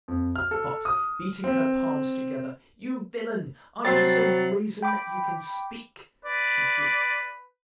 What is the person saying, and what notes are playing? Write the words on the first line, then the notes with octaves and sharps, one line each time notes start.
But, beating her palms together, "You villain, are you so brazen that you can speak?" she shrieked.
F2
F6
A4
D#6
C4
C3 F#3 G3 C4 A6 C7
G5 B5 D6
B4 D5